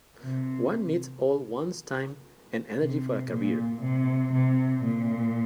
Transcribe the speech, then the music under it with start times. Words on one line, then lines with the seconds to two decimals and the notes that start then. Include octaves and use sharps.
One needs all one's time and energy for a career.
0.23 C3
2.80 C3
3.31 A#2
3.81 C3
4.32 C3
4.84 A#2